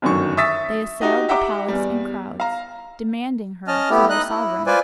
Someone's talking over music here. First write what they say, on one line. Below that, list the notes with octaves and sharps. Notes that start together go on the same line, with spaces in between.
They assailed the palace in crowds, demanding her for their sovereign.
G1 F#2 D#3 F#3 C#6
E5 C#6 D#6 E6 A6 B6
D#4 F#4 G4 D#5
G4 E5 F#5 G5 A#5 D6
E2 G3
F5 A#5
C#4 D#5 A5 F6
A3 B3 E4 G4
D#4 D#5 F#6
E4
F4 B4 C5 D5 G#5